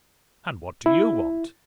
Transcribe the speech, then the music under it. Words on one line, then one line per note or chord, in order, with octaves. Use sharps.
And what do YOU want?
E4